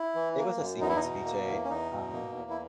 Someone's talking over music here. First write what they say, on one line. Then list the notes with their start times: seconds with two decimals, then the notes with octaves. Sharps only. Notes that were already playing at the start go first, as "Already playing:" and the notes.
it was a seafood ceviche. Um,
Already playing: E4
0.15 E3
0.38 A#3
0.60 F#2
0.81 E2 D#4
0.89 E4
0.96 D#4
1.03 B2
1.25 A#3
1.48 E2
1.65 C#4
1.69 E2 D#4
1.91 B2
2.13 A#3
2.35 E2
2.50 E4